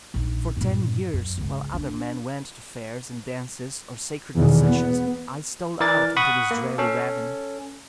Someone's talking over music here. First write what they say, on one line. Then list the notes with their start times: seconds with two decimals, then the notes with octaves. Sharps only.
For ten years, while other men went to fairs and dances or sacred processions, I stole out into this dreary ravine.
0.14 A#1 D#4
0.57 G2 A#2
1.13 F#2
1.38 G#1 C#2
1.74 D4
4.35 E2 B2 D#3
4.66 B3
5.80 E3 A#4 D5 A6
6.16 F#5 B5 C#6 D#6
6.51 A#3
6.78 C#4 A4